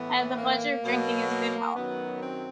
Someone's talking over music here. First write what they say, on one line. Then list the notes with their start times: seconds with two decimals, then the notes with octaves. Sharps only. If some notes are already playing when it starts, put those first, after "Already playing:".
I have the pleasure of drinking his good health.
Already playing: A2 E3 B3
0.37 A#3
0.83 B2 F#3
1.29 A#3
1.75 F#2 D#3 F#3 B3
2.21 C4